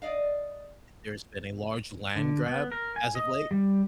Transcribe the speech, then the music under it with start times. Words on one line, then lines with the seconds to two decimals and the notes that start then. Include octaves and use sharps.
there's been a large land grab as of late,
0.02 D5 D#5 F5
2.16 D3
2.46 B3
2.72 A#4
2.96 G#5
3.15 D#5
3.51 G3